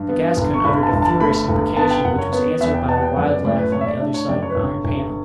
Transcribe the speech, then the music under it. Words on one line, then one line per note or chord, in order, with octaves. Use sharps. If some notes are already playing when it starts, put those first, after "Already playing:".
The Gascon uttered a furious imprecation, which was answered by a wild laugh on the other side of the iron panel.
Already playing: G2
B3
G1
C#6
G1 B5
A5
G1
A5
A3 B5
G1
B3 A5
G5
F#1 F#5
C#5
B3 C#5
E2 E5
G5
B3 A5
F#5
G5
F#2 F#5
D5
A2 D5
B4
A2 C#5
E5
D5
D4 E5
C#5
F#2 D5
C#5
B4
G1 C#5
G1